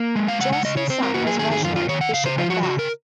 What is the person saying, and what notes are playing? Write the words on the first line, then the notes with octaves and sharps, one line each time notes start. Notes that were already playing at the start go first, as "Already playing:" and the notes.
Josceline's son was Reginald, bishop of Bath.
Already playing: A#3
G#3
F5
C#3 F#5
F#5
C#3 D#5
C#5
C4 C5
A#4
A#3 F#4
G#4
D#3 G#4
G#4
F#2 F4
F4
D#3 C#5
F#5
C#3 F5
C5
F3 F4
F#4
C#3 F#4
A#4